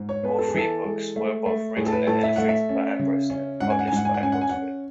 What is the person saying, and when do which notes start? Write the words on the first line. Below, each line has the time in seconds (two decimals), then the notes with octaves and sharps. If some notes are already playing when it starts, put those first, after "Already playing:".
All three books were both written and illustrated by Ambrus and published by Oxford.
Already playing: G#2
0.09 C#5
0.23 B3 B4
0.39 A4
0.48 G#4
0.54 E3 A4
0.84 G#3
1.16 A3
1.46 A3
1.77 A2 G#4
1.86 A4
1.92 B4
2.07 A2 A4
2.23 E5
2.36 A3 F#5
2.49 E5
2.69 C#4
2.99 C#3
3.30 C#4
3.60 G#2 F#5
3.70 G#5
3.79 F#5
3.88 G#5
3.92 G#2 F#5
4.05 G#5
4.14 F#5
4.21 C#4 G#5
4.32 F#5
4.41 G#5
4.49 C#4 F#5